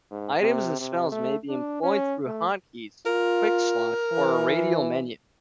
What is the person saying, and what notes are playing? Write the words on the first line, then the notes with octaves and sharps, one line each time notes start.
Items and spells may be employed through hotkeys, "quick slots", or a radial menu.
G#2
C3
C3
A3
D4
C#4
A3
F4 A#4
E3